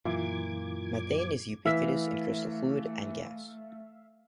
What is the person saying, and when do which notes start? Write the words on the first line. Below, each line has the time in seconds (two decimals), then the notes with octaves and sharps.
Methane is ubiquitous in crustal fluid and gas.
0.05 F#2 A#2 E3 E4 F4 D6 G#6
1.65 E3 A3 E5 F5 B6